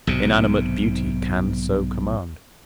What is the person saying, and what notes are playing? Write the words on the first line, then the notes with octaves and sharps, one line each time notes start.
Inanimate beauty can so command.
B1 G#2 C3